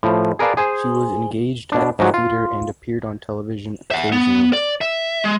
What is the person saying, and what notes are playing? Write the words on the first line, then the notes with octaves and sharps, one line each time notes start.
She was engaged at the theater and appeared on television occasionally.
A2 F3
G#4 A#4 B4 D5 F5 A5
G#4 C5 G#5
B2 D4
G#2 F3 F#3 F#4
F4
E5 F#5
B3
D5
E5
G#3